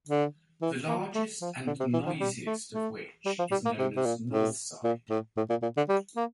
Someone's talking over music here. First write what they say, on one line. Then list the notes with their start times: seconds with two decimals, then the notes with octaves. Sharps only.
The largest and noisiest of which is known as North Side.
0.09 D3
0.62 E3
0.88 A#3
1.14 A3
1.41 F3
1.67 D3
1.80 C3
1.93 E3
2.06 F3
2.20 G3
2.46 A3
2.72 A3
3.26 G3
3.39 F3
3.51 G3
3.65 A#3
3.78 C3
3.96 C3
4.05 A#2
4.31 A2
4.84 A#2
5.10 A2
5.37 A2
5.50 A#2
5.62 A#2
5.77 D3
5.89 G3
6.16 A#3